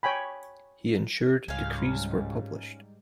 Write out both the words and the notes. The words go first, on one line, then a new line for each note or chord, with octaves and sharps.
He ensured decrees were published.
C#5 G5 G#5 B5
C#2 G#2 G3 C#4 F5